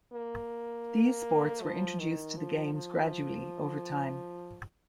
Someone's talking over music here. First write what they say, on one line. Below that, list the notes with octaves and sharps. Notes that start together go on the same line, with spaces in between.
These sports were introduced to the games gradually over time.
A#3
F3
D#3
F3
F3